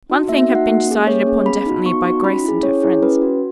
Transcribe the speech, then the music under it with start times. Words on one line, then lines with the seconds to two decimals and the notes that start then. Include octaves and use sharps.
One thing had been decided upon definitely by Grace and her friends.
0.10 D#4 F#4
0.29 A#3 E5
0.42 E5
0.49 D#4 F#4
0.55 F#5
0.68 A#3
0.87 C#4 G#4
1.07 A#3 C#5
1.27 C#4 G#4
1.46 B3 B5
1.66 D#4 F#4
1.85 B3 C#6
2.05 D#4 F#4
2.24 C#4 B5
2.44 E4 G#4
2.63 C#4 C#5
2.83 E4 G#4
3.02 C#4 B4
3.22 F#4